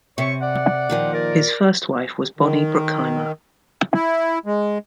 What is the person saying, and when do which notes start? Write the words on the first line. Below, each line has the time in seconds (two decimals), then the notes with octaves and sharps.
His first wife was Bonnie Bruckheimer.
0.18 C3 C#5 E5 C#6
0.41 D5 F#5
0.89 A#2 D#3 F3
1.13 A#4 D5
2.39 D#3
3.94 E4
4.46 G#3